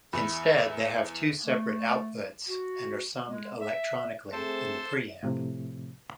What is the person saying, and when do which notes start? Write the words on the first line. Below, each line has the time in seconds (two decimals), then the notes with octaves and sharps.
Instead, they have two separate outputs and are summed electronically in the preamp.
0.13 E2 E5 B5
1.44 A3
2.48 F#4
3.28 G#3
3.61 E5
4.32 A3 C4 G#4 A4 C5 A5
5.23 A2 C3 F3